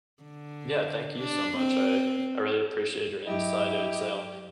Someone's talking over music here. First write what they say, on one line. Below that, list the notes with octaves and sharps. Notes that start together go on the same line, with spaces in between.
Yeah, thank you so much. I I really appreciate your insight and so
D3
D4
C4
G2 F#3 E4 G4 D#5